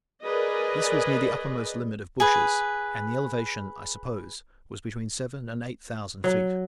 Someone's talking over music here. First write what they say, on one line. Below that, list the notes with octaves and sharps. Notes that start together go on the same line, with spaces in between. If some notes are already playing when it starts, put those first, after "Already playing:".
This was near the uppermost limit of bushes, and the elevation, I suppose, was between seven and eight thousand feet.
G#4 A#4 B4 D5 D#5
G#4 B4
F#3